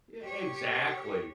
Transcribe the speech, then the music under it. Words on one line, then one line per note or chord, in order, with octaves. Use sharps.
Yeah, exactly.
G4 C#5